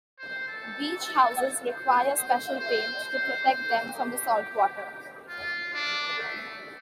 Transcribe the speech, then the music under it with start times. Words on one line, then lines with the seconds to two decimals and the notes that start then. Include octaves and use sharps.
Beach houses require special paint to protect them from the salt water.
0.19 C5
0.48 A4
1.69 C5
2.13 C5
2.58 C5
3.04 C5
3.49 C5
3.93 G4
5.29 F4
5.74 D4
6.19 A3